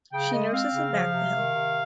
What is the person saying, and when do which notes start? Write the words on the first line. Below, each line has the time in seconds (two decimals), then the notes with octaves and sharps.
She nurses him back to health.
0.12 C#3 G5
0.32 G#3 D#5
0.52 C4 F5
0.73 C#3
0.93 F3
1.13 C3
1.33 D#3
1.53 C3